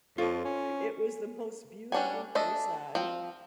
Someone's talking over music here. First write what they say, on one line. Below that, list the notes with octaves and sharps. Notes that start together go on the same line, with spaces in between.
it was the most beautiful corsage,
F2 F4 A4 C#5
C#4
G3 C#4 D4 F#5 G#5
A3 D4 A4 D#5
F3 C4